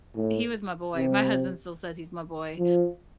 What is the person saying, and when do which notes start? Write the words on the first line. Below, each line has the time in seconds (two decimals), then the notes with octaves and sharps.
eh, he was my boy, my husband still says "He's my boy,"
0.16 A2
0.96 C3
2.58 F3